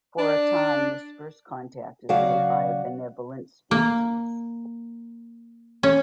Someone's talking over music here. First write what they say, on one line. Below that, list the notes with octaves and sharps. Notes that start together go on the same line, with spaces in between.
For a time, this first contact is made by a benevolent species.
D4
C#3 F#3 F#4 D5 F5
A#3
C#4